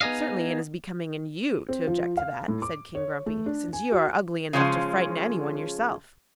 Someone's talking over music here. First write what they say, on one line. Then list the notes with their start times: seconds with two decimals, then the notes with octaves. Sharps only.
'Certainly it is becoming in YOU to object to that,' said King Grumpy, 'since you are ugly enough to frighten anyone yourself.'
0.01 B3 D#4 G#4 D#5 F5
1.69 C4
1.87 F3
2.17 F5
2.48 A2
2.62 D6
2.95 C#5
3.26 A3
3.46 D4
3.73 G#5
3.92 F#4
4.53 C#3 F3 G#3 C#4